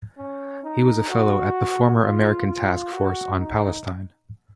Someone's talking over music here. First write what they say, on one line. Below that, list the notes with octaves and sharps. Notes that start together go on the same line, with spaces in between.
He was a Fellow at the former American Task Force on Palestine.
C#4
D#4
F#4
F4
F4
F#4
D#4